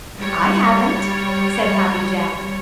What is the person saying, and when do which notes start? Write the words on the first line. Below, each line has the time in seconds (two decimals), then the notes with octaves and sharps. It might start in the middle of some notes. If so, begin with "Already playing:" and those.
"I haven't," said Happy Jack.
0.17 G3 C#5